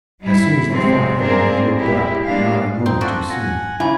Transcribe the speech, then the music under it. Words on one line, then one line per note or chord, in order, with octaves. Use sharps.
As soon as the thought hit him he looked up--not a moment too soon.
G3 E4
C3 F#3 G#3 C4
A#3 C4 D4 G#4 A#4
G#3 E4 G4
G#3 A#3 D4 G4 F5
C4 D#4
D4 F4 F#4 A4
F#5 G#5 A#6
C#3 A#3 E4 G#5 B5 G#6